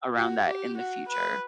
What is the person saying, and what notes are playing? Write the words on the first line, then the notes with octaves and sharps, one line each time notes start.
around that in the future.
F#4
G4
F#4
B4